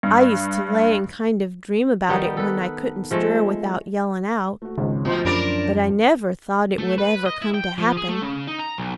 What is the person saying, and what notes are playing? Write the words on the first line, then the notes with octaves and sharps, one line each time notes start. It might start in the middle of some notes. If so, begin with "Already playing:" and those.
I used to lay and kind of dream about it when I couldn't stir without yellin' out; but I never thought it would ever come to happen.
G2
D#3 G3 B3 D#4
A4 B4
F3 G#3 A3
A3 F#4
G#1 C#2 C#3
D2 B2 F3 C6
F#2 D4 A#4 D5
A3
B4
D#5
E4
G5
F3
G#4
A3
C#3
D#4
A#5
B1